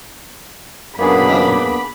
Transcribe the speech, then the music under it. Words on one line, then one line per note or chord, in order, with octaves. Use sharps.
I love her.
F#2 A#3 B3 D4 G#4 B5